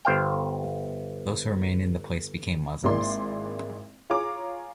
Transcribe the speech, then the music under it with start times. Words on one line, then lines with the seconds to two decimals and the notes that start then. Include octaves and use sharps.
Those who remained in the place became Muslims.
0.05 G1 C5 F5 G5
2.84 G#1 G#3 A#3 E4 D5 C6
4.10 F4 G#4 C#5 A#5 D6